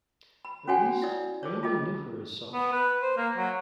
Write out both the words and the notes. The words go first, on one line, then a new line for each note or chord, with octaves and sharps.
At least, I only knew her as such.
B5
C#4 F#4 A4 C#5 F#5 G#5
E4 C#5 D5 D#6
G#4 C5 C#5
F4 G#4 A4 D#5
B3
B4
C5
A#3
F#3